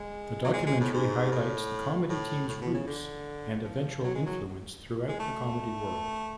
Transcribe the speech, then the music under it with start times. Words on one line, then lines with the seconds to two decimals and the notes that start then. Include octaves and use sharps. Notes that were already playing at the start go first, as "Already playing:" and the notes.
The documentary highlights the comedy teams roots and eventual influence throughout the comedy world.
Already playing: G#3
0.44 F#3
0.54 G#3
0.67 G#3
0.81 A2
0.94 G#2
1.32 A2
2.10 A2
2.49 A2
2.61 B2
2.74 C#3
2.87 D3
3.64 F3
4.04 F#3
4.15 G#3
4.26 F#3
5.09 G#3
5.20 A3